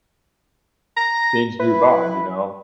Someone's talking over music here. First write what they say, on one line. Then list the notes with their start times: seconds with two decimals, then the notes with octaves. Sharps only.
Things move on, you know?
0.97 A#5 A#6
1.60 E4 B4